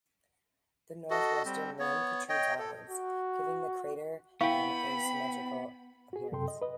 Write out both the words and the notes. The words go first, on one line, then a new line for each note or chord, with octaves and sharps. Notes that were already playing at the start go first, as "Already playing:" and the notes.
The northwestern rim protrudes outwards, giving the crater an asymmetrical appearance.
F#4 A4 D#5
G3 C4
B3 C#5
C#5 D#5 G5
A4
F#4
B3 E4 F5 G5 B5 C#6
F#4 G#4
F#2 C3 A4 G5 C6
D#5
B4 D#5